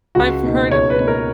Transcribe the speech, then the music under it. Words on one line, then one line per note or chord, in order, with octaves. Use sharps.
I've heard of it.
C#2 F#4
B2 A#3 D#4
C#2 C#5
B4
B2 A#3 D#4
A#4